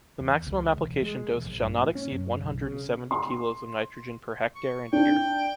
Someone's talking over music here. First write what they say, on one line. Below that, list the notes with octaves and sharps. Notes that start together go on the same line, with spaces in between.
The maximum application dose shall not exceed one hundred and seventy kilos of nitrogen per hectare and year.
E2
C#2
E1
G#3
E1
A#1
G2
A#2
C#4
F#2
B1
C#3
C6
C#6
D4 G5